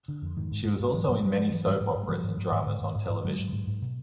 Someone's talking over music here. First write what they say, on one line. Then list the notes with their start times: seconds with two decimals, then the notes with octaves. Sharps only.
She was also in many soap operas and dramas on television.
0.08 D3
0.22 F2
0.36 G#2 D#3
0.51 G#2
0.65 G#2
0.80 G#2
0.94 G#2 E3 F#3
1.08 G#2 F3 G3
1.22 G#2 F#3 G#3
1.37 G#2 F3 G3
1.51 G#2 E3 F#3
1.67 G#2
1.80 G#2
1.95 G#2
2.03 G#3
2.08 G#2 F3 G3
2.23 G#2
2.38 G#2
2.52 G#2
2.66 G#2
2.81 G#2
2.95 G#2
3.09 G#2
3.24 G#2 F#3 G#3
3.39 G#2
3.52 G#2
3.67 G#2
3.82 B2